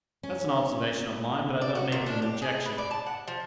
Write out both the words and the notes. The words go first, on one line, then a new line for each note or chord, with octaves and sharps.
That's an observation of mine, but I don't make it an objection.
C#4
D5
F#4
A#2
D4
G4
G#4
B4
D5
A5
F#5
F3